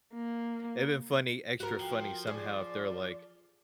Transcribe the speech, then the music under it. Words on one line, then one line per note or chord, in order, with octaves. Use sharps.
And then funny extra funny somehow if they're, like,
A#3
F#4 A#4
F3 G5
G#4 D5